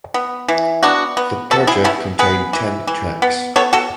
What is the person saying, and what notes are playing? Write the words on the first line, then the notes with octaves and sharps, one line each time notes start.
The project contained ten tracks.
B3
E3
B3 D4 F#4
B3
B3 F#4 A4
E4 G#4
B3 C#4 E4
B3 G#4 B4
E3
E3
B3
B3 A4 C#5
F#4 A4